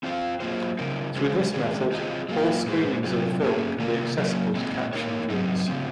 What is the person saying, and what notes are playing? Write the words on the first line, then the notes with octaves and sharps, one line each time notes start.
Through this method, all screenings of a film can be accessible to caption viewers.
C4 F4 C5 F5
F#3 A#3 F4 C5
C#3 F3 C4 D#4 A#4
C#3 G#3 C#4 F#4 C5
D#3 G#3 C#4 G#4
C4 F4 G#4 D#5
F#3 A#3 F4
A#2 G#3 D#4 G#4 C5
C3 F#3 C4 F4
A#3 C#4 G#4
C3 D#3 A#3 F4 A#4
F#3 A#3 C#4
A#2 G#3 C4 D#4
A#3 D#4 A#4 C#5
F#3 C4 D#4
C#3 F3 C4